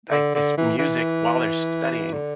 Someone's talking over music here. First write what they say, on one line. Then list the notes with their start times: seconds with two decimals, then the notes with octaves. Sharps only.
like, this music while they're studying.
0.12 D3
0.35 D3
0.57 E3
0.79 E3
2.13 D3